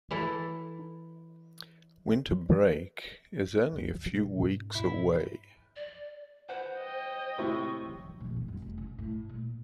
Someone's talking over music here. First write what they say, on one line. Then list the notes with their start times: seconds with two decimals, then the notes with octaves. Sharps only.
Winter break is only a few weeks away!
0.11 E3 E4 A4
3.73 C#2 F#2
4.12 B2 C#4
4.45 G#2
4.75 G2 B2 E4
5.76 D5
6.49 B4 C5 F#5
6.78 D#5 G5
7.38 A2 C3 E4 C#6
8.20 A#1
8.36 C4
8.48 F#2
8.62 F1
8.78 C#3
8.98 A2
9.29 A#2